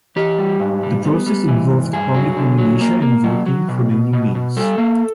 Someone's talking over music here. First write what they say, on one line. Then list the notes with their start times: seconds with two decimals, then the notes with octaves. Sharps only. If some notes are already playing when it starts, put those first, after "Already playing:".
The process involved public nomination and voting for the new names.
0.16 E3 G4
0.38 G3
0.60 G#2
0.83 G3
1.05 B3
1.26 G3
1.48 E3
1.70 G#2
1.93 G2 G#4
2.14 F#3
2.37 D3
2.58 F#3
2.81 A#3
3.02 A#3
3.24 F#3
3.46 F#3
3.68 B2
3.91 B2
4.13 B2
4.35 B2
4.57 G3 A4
4.78 A#3